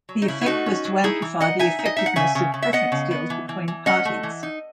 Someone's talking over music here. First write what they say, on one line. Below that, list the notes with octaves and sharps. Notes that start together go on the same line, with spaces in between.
The effect was to amplify the effectiveness of preference deals between parties.
F#3
D#4
C#3 E4
E4
A3 D#4 F#4
C#4
F#3
D#4 E4 G#4
E3
D#4 D#5 F#5
D#4 E5 G#5
D#4
D#5
D#4 E5
F#5
C#3 E5 G#5
C#3
C#3
E5
B3 D#5 F#5
C#3
B3
E3
E3
E3
C#4 D#5 F#5
A3
E3
D#4